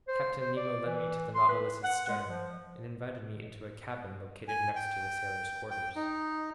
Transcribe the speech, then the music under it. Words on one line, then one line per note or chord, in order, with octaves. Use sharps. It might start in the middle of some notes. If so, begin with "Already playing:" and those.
Captain Nemo led me to the Nautilus's stern and invited me into a cabin located next to the sailors' quarters.
C5
C5
D5
E3
C6
B4
F#5
G#3
F3
G#5
G5
G5
D#4